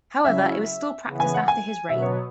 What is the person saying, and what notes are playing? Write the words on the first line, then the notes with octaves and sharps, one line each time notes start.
However, it was still practiced after his reign.
C#3 F#3 C#4 E4 E5
C#3 E3 B3
G#5
F#5
G#5
B2 F#3 B3 E5
C#5